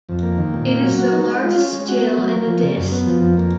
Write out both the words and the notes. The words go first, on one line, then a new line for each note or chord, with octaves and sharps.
It is the largest Jail in the dist.
F2
A#3
D#3
A#2
A#3
F#3
F#4
D#4
G#3
F4
C#4
G#3
F#4
B3
F#3
A#3
F3
C#3
F#2
B3
F3
F2
A#3